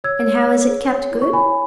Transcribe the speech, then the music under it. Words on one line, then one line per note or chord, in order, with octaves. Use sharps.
And how is it kept good?
C#5 E6 G#6
C#5
C#5
G#4
C#5
E4
C#6
C#5 G#5 B5